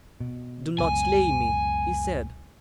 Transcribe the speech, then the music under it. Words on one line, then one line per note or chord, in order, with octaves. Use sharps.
"Do not slay me," he said.
B2
C#2 F#2 B2 G#5